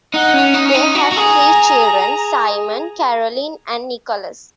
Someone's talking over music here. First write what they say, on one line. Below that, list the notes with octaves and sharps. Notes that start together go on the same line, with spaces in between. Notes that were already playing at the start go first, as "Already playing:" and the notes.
They had three children, Simon, Caroline, and Nicholas.
D#4 F#5
C#4
D#4
C#4
D#4
F#4 A#5
F#4
G#4